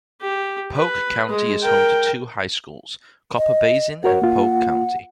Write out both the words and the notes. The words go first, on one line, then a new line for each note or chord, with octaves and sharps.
Polk County is home to two high schools, Copper Basin and Polk County.
G4
B4
G#3 G#4
A#4 G5
D#5
F#4 A#4 C#5 F#5
A#3 F4